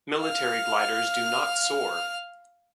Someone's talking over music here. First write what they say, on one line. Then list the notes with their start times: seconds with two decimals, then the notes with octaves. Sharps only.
Military gliders do not soar.
0.20 F5 F6